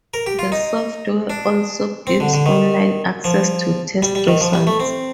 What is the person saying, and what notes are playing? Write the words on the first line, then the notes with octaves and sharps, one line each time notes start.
The software also gives online access to test results.
A#4
G4
F4
D#4
D4
C4
D3
D3
D#3
F3
G3
G3
D#3
F3
G3
A3
C4